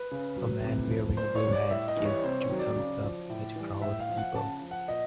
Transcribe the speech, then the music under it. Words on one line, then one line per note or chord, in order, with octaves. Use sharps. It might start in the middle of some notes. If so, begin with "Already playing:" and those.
A man wearing a blue hat gives two thumbs up at a crowd of people.
Already playing: B4
C#3
F#3
C3
F3
A#2 C5
C#5
G3
D5
A2 E5
D#5
E3 G3
C#5
C3 C5
C#5
D#3 F#3
D5
C#3
F3
A2
E3 G3
A2 E5
F5
F3
F#5
C#3 A5
F3
F#5
A#2 D#5